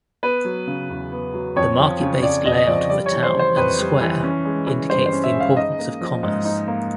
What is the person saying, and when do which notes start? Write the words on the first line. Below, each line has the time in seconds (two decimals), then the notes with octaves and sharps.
The market based layout of the town and square indicates the importance of commerce.
0.23 B3 B4
0.45 F#3
0.67 C#3
0.90 E2
1.12 B3
1.34 F#3
1.56 F2 C#5
1.79 F3
2.01 C#3
2.23 F2 D5
2.45 F2 D#5
2.57 D#5
2.67 F3 D5
2.90 G3 D5
3.06 C#5
3.12 E3
3.23 C5
3.34 C#3
3.39 C5
3.56 F2 B4
3.79 G3
4.01 E3
4.23 C#4
4.45 G#3
4.67 E3
4.90 G2 C5
5.06 C5
5.13 C#4
5.24 E5
5.34 G#3
5.40 F5
5.57 D#4 D#5
5.79 A#3
6.01 F3
6.23 G#2
6.45 D#4
6.67 A#3